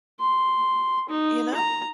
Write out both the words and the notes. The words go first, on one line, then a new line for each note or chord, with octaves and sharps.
you know?
C6
D#4
A#5